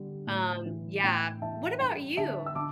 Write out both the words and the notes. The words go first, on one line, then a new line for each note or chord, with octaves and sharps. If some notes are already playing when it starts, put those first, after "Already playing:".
Um, yeah. What about you?
Already playing: D3 G3
A2
E3
A2 G5
E3 E5 A5
G2 G5
D3 E5 A5
E6
D3 A5 D6